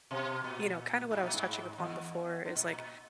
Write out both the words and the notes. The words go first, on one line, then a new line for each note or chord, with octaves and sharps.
you know, kinda what I was touching upon before is, like,
B2
A#2
G#2
A#2
G#2
E2
G2
A#2
A#2
A#2